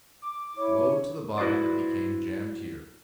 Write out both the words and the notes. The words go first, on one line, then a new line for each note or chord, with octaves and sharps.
Woe to the body that became jammed here!
D6
E4 C#5
E4 F#4 B4 C5 D5